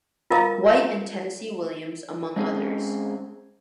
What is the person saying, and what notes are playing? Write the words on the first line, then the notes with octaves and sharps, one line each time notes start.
White, and Tennessee Williams, among others.
F4 A#4 D#5 F5 A#5 D#6
G#3 C4 C#4 G#4